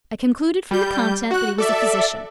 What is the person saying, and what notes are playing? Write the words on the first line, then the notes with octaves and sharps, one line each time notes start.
I concluded from the content that he was a physician.
G3 G6
F#4 F#6
A4 D5 E5